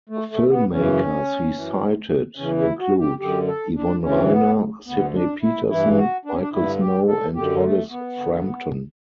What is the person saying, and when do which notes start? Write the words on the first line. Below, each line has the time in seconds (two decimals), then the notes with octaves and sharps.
Filmmakers he cited include Yvonne Rainer, Sidney Peterson, Michael Snow, and Hollis Frampton.
0.09 A3
0.30 A3
0.50 B3
0.71 F#2 C#3 E3 C#4
1.54 F#2 E3
2.37 E2 C#3 E3 C#4
2.59 E4
2.79 F#4
3.00 G4
3.20 F#2 D3 G4
3.48 A4
3.76 D4
4.03 D2 C#3 E3 C#4
4.32 B3
4.86 D2 D3 B3
5.15 D4
5.42 E4
5.69 G2 E3 E4
5.98 F#4
6.25 D4
6.33 C#4
6.40 D4
6.52 G2 D3 E4
6.80 G4
7.07 A4
7.35 F#2 D3 G4
7.63 A3
7.90 B3
8.18 G2 D3